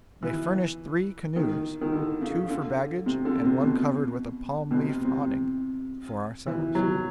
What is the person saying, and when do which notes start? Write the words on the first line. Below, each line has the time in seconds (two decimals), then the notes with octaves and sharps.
They furnished three canoes, two for baggage and one covered with a palm-leaf awning for ourselves.
0.23 E3
1.36 D#3
1.81 D#3
1.92 D3
2.21 C#3
2.50 D3
3.06 C3
3.25 D3
3.44 C3
3.63 B2
4.71 B2
4.77 C3
5.05 C3
6.47 E3
6.75 F#3